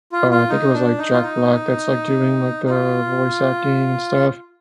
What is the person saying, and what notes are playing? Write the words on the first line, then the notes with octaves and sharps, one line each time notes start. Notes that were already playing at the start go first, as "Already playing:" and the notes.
uh, I think it was, like, Jack Black that's, like, doing, like, the voice acting and stuff.
F4
F4
D#4
D4
D#4
F4
D#4
D#4
F4